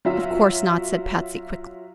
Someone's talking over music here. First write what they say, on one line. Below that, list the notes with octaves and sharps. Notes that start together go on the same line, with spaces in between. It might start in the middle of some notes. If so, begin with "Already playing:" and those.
"Of course not," said Patsy, quickly.
F#3 F4 E5